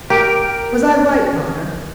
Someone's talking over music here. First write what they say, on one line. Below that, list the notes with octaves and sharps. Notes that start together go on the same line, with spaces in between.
Was I right, pater?
G4 A#4